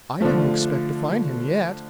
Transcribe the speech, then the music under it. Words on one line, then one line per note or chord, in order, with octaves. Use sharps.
I didn't expect to find him yet.
D3 F3 A3